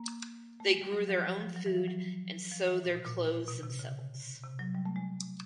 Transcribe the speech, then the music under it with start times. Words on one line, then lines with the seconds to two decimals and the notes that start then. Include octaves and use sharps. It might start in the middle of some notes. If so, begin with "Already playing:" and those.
They grew their own food and sew their clothes themselves.
Already playing: A#3
0.60 A3
0.70 G#3
0.81 G3
0.92 F#3
1.08 F3
1.24 F3
1.40 F3
1.56 F#3
1.66 E3
1.77 F3
1.88 F#3
2.52 F3
2.68 E3
2.84 A#2
2.95 B2
3.06 A#2
3.48 B2
3.63 C3
3.79 C#3
4.43 C3
4.59 F#3
4.75 G3
4.85 A3
4.96 G#3